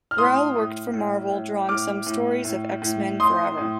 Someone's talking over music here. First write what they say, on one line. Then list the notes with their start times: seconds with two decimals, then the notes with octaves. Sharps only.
Grell worked for Marvel drawing some stories of "X-Men Forever".
0.11 F6
0.18 A2 C6 D#6
0.56 A2
0.94 A2
1.31 A2
1.69 A2 D6 F6
2.07 A2
2.45 A2
2.82 A2
3.20 A2 C6 D#6
3.58 A2